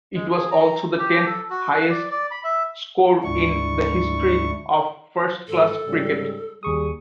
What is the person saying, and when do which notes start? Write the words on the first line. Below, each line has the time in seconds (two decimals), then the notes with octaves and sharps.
It was also the tenth-highest score in the history of first-class cricket.
0.15 G#3
0.31 G#4
0.51 A#5
0.99 G4
1.26 A4
1.50 F#4
1.73 B4
1.89 D5
2.10 D5
2.31 B5
2.44 E5
3.24 D2 G#2 D4 E4 C#6
5.48 G#2 D#3 A4
5.85 G#2 C#3 G3
6.63 D#2 G3 G#4 C#6 D#6